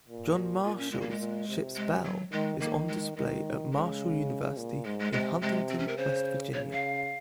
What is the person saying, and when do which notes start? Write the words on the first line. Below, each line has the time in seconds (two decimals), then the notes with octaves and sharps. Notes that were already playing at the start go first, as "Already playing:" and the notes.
"John Marshall"s ship's bell is on display at Marshall University in Huntington, West Virginia.
0.08 A#2
0.35 F#4
0.63 A#2 F4
0.78 C#4
0.92 A#2 G#3
1.01 A#3
1.10 G#3
1.20 A#2
1.48 C3
1.76 G#3
2.04 F#3
2.32 D#3 G#3
2.60 D#3 A#3
2.88 G#3
3.17 D#3 G#3
3.73 C#3 G#3
4.57 A#2
4.85 G#2 G#3
4.99 G#3
5.13 C3 G#3
5.42 C3 G#3
5.69 C4
5.79 C#4
5.88 A#4
5.97 C#3 C5
6.53 C#3 C#5
6.73 F5